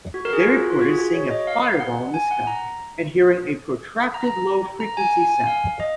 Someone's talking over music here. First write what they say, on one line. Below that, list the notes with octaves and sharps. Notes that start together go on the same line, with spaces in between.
They reported seeing a fireball in the sky and hearing a protracted low-frequency sound.
F#4
A#4
G#4
F#4
F4
F4
F#4
G#4
F#4
C#5
D#5
F5
F#5
G#5
F#5
A#5
A#5
A#5
A#5
G#5
G#5
G#5
F5
D#5